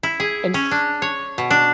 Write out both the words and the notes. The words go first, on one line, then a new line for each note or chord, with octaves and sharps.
And s
E4
G#4
C#4
D4
C#5
B2
D4